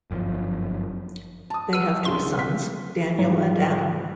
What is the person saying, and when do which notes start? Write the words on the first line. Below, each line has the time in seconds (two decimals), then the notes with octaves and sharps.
They have two sons, Daniel and Adam.
0.11 G1 F#2 D3 F3
1.50 A5 D#6
1.73 B4 F#5 E6 D#7
2.05 C2 C#3 C6
2.39 B6
3.19 G#2 F3 F#3